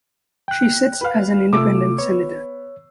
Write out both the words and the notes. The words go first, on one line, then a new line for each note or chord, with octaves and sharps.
She sits as an independent Senator.
G5 F#6
B4 F5
C3 A3 F4 D6 E6
B3 C#5